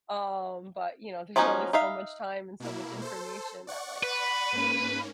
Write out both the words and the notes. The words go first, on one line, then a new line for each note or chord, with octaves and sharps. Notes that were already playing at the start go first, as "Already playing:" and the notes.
Um, but you know, there's only so much time and so much information that like
F3 F#3 A#3 C#4 D#4
D#4 E5 F5
B2 A#3 E4
A4 C5
D5 F#5 C#6
B4
G#2 A#3 C#4